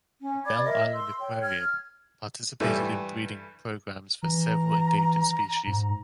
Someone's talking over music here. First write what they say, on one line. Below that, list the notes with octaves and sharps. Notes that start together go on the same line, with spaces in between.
The Belle Isle Aquarium participated in breeding programs for several endangered species.
C#4
D5 B5 D6 G#6
A#4 D#5 E5
C6 E6
C#5 G5
F6 G#6
G2 E3 G3 A3 B4 E5
E3 A#5
G#2